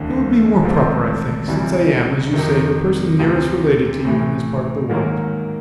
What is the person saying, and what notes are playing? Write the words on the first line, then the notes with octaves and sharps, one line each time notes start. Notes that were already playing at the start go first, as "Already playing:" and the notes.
It would be more proper, I think, since I am, as you say, the person nearest related to you in this part of the world.
Already playing: E1 D2 D3
G#1 G#2 F3 A3 C4
C#2 C3 E3 G3
F2 C3 D#3
D2 C3 F3
A2 E3 A3
G#2 D#3 F#3 A#3